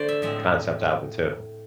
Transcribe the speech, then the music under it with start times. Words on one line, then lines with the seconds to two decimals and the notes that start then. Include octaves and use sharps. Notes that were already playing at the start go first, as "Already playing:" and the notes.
concept album too.
Already playing: D3 A3 C5 D5
0.09 E5
0.22 A2 F3 G#3 C4 E5